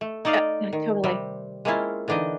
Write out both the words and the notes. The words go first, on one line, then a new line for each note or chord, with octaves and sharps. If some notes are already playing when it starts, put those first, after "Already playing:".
Uh, yeah, totally.
A3
D#4 A4 D5 D#5 F5
D#3
C3 G3 C4
G#3 A#3 C4 C#4 E4 F4
D3 E3 D4 D#4 D#5